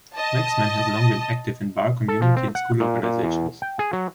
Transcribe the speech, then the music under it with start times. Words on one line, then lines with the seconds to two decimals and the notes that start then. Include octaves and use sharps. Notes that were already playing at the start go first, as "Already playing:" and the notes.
Waxman has long been active in Bar, community and school organizations.
0.15 D#5 A5
2.08 A4
2.22 F3
2.37 C4
2.55 F#5
2.80 A#2
3.03 A#2
3.23 E2
3.62 G5
3.79 G#4
3.93 F#3